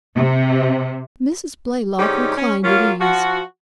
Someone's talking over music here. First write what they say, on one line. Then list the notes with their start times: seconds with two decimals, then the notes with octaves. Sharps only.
Mrs. Blaylock reclined at ease.
0.16 C3
1.98 G#2 D3 C#4 D#4 G4
2.37 C#4
2.62 F#3 A#3 C#4 F4
3.00 F3 F#4